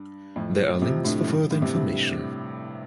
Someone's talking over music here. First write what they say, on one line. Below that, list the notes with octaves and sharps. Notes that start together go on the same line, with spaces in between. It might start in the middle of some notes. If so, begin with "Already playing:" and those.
There are links for further information.
Already playing: G2
F2 A2
C3 F3
A2 D3
G2
A2 D3
G2 C3
G2